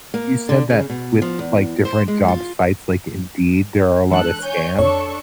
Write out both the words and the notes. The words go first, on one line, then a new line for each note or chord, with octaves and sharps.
you said that with, like, different job sites like Indeed, there are a lotta scams.
A#3
D3
C#3
B2
F3
E2
C5
G#3
F4
E3 G#3 D4 A4 F#6
C#5 G#5 G6
F2 D4 A4 C#5 C#6